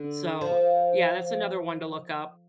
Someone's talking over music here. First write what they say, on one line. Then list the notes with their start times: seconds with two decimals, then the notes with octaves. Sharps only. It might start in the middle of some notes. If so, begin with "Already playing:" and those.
So, yeah, that's another one to look up.
Already playing: D3
0.41 F3